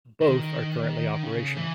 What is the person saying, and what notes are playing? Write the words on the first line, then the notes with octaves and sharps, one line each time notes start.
Both are currently operational.
D#3
C#3
E3